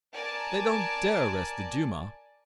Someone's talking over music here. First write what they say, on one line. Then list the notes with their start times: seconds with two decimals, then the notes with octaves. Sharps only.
They don't dare arrest the Duma!
0.13 A#4 D5 G#5 A5